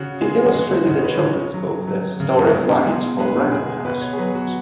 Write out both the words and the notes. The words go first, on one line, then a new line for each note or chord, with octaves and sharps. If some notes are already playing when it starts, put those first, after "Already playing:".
He illustrated a children's book, "The Story of Flight", for Random House.
Already playing: C#3 F#4
G#3 G#4
G#3 F#4
D#4
C#3 F#4
C#5
B4
C#3 C#5
F#3
F#3
C#3
B2
G#3
G#3 B4
B2 G#4
B2 B4
C#5
G#4
F#3 B4
F#4